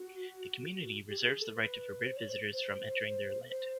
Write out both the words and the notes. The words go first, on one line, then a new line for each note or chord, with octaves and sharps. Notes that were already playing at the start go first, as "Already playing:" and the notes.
The community reserves the right to forbid visitors from entering their land.
Already playing: F#4
G4
G4
G#4
A4
B4
C5
C#5
C5
C5
C5